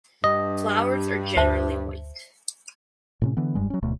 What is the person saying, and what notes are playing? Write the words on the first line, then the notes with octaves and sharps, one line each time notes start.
Flowers are generally white.
G2 D#5
D2 C5 E5 A5
A2 C3 C#4
D3 E3 B3
F1 G2 G3 G#3
F#3 C#4
D1 D2 B2 A3